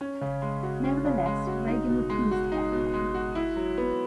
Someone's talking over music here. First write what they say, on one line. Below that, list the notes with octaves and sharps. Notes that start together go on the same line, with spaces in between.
Nevertheless, Reagan refused to back down.
C#4
C#3
G#3
F#4
C#4
C#3
G#3
F#4
D#4
B2
G#3
F#4
D#4
B2
G#3
F#4
E4
F#3
B3